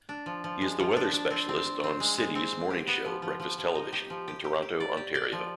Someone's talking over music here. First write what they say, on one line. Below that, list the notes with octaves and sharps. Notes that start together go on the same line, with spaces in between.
He is the "weather specialist" on City's morning show "Breakfast Television" in Toronto, Ontario.
D4
F3
F3
G#3
F3
D4
D4
C4
C4
C5
C4
G#3
G#3
C4
C5
G4
B3
F3
F3
F3
F3
D#4
G4
F3
G4
G4
G4
D5
G4
D5
F3